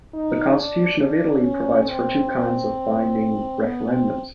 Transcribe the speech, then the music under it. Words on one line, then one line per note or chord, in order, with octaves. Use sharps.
The constitution of Italy provides for two kinds of binding referendums.
D#4
D4
D4
C#4
C4
B3
C4